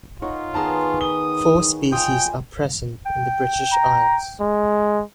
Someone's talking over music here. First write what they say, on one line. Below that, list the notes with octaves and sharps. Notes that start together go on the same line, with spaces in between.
Four species are present in the British Isles.
D#4 F4 A#4 C#5 F#5
D#3 B3 G#4 A#4 A5 A#5 C6
B5 D#6 G7
F4 D#5 G5 G#5 D#6
G5
A#5
G#3